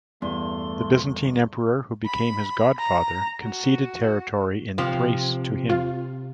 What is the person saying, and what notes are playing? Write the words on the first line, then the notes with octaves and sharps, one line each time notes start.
The Byzantine Emperor who became his godfather conceded territory in Thrace to him.
E2 G2 A3 C6
B5
A#5
F#4
C3 F3 C4
F4